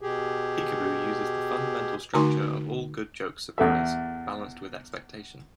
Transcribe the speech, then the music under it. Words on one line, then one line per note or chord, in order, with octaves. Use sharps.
Peekaboo uses the fundamental structure of all good jokes-surprise, balanced with expectation.
B2 G4 G#4
D3 A3 D#4 F#4 G#5 C6
E2 A3 E5